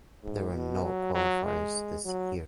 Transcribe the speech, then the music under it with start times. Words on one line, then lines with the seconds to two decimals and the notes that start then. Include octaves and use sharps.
There were no qualifiers this year.
0.23 G#2
0.53 B2
0.84 F#3
1.14 F#3
1.44 G#3
2.05 F#3